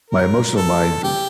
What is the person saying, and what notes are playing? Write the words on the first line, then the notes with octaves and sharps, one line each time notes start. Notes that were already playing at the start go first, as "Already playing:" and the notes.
my emotional mind
A#4
A4
G4